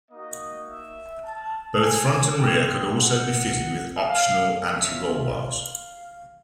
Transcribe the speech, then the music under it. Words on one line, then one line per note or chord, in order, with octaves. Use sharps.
Both front and rear could also be fitted with optional anti-roll bars.
A#3 D#4 F#4 D#5
E5
A5
G#5
C4 F4 G5
F#5
F5
A#3 C#4 F4 E5
F5